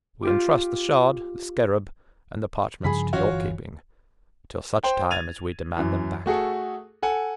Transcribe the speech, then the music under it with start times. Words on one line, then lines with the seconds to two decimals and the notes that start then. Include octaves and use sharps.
We entrust the sherd, the scarab, and the parchments to your keeping, till such time as we demand them back again.
0.22 F4 G4 D6
2.84 G2 C#3 F3 G#4 B5 B6
3.13 G1 E3 F4 F#4 C#5
4.84 C5 G5
5.11 G#6 A6 D#7 F7
5.77 F#2 E3
6.26 A3 F#4 G#4 A4
7.02 A4 F#5 G#5